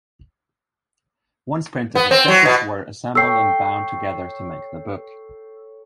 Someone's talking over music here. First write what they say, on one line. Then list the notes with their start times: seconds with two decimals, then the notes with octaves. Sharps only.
Once printed, the "sixes" were assembled and bound together to make the book.
1.95 B3
2.11 C4
2.28 F#3
2.46 B2
3.15 A4 C#5 G5 E6 C7